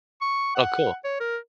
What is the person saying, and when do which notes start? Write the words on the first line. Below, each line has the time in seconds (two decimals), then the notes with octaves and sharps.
Oh, cool.
0.21 C#6
0.55 F#5
1.04 C#5
1.20 A#4